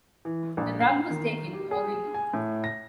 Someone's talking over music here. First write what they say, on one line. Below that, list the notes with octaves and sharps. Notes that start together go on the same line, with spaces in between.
The drug was taken orally.
E3
A#1
C7
D#3
G4
G#4
G#5
A2
A#6